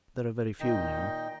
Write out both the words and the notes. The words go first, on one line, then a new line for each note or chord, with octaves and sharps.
There are very few now.
A#2 D#3 D#4 D#5 G5